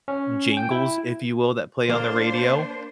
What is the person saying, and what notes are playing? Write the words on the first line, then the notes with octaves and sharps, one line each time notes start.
jingles, if you will, that play on the radio,
C#4
G5
E4
A#3 D4 C5